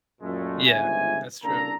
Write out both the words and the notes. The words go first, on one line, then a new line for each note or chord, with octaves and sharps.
Yeah, that's true.
F#2 A#2 G#3 A3
G1 C#2 G#2 E5 G#5
C2 C#3 A#3 D4 A4 A#5